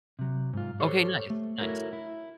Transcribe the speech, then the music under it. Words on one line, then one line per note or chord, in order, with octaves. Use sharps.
Okay, nice, nice.
C3 F#3
G#2 F4
G4 A4 C5 C#5
A3
E4 F#4 A4 A#4 C#5
E4